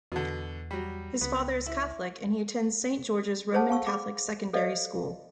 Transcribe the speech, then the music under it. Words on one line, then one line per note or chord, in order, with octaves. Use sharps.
His father is Catholic, and he attended Saint George's Roman Catholic Secondary School.
E2 B2 D3
F#3 G3
C#2 B3
E4
G#4 A4 C5 C#5 F#5 A5
F5 A5 C#6 E6
G#4 D6
A4 C5 D5 D#5 F5